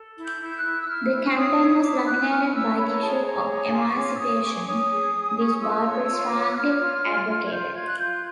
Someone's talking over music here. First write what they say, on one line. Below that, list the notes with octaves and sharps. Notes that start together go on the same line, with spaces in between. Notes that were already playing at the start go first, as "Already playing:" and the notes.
The campaign was dominated by the issue of emancipation, which Boutwell strongly advocated.
Already playing: A4
E4
G6
E4
G6
F#6
E4
E6
E4 F6
E4
C#5 D#6
E4
E4 D6
E4 F#6
E4 F6
E4 E6
C#5 B5
A#5
G#4 A5
A#5
C#5
G#4
F4 G#5
C#6
C#5 D6
E6
G#4 D#6
C#4 D6
C#5 D#6
G#4
G#4
C#4
F4 E6
C#5
F4
C#5
F#6
C#5 F6
F4
F4
F4
G#6
F4 G6
F4 G#6
F#6
F4 G6